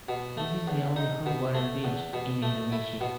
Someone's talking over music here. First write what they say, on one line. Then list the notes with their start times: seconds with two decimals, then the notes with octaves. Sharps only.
This is the only hot water beach in Indonesia.
0.09 B2
0.37 A3
0.67 E2
0.96 D#4
1.26 B2
1.54 A3
1.84 E2
2.13 B2
2.42 A3
2.72 E4
3.01 B2